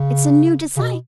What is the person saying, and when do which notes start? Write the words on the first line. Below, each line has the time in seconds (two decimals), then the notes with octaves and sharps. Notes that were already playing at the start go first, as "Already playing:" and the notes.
It's a new desire.
Already playing: C#3
0.77 C#3
0.81 B2